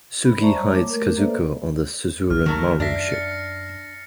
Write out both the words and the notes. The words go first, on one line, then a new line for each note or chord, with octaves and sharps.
Sugi hides Kazuko on the Suzuran Maru ship.
B5
C5 D5 E5 A5 A#5 C#6
G3 C#5
A#3 D6
A3 A#4
A#3 A4 B4 C5 D5 E5
B1 F6
D#3 F#3 A3 A#4
F#2 D4 E5 A6 A#6 C7
A6 C#7